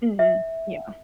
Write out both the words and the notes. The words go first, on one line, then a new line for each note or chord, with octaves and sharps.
Mhm, yeah.
E5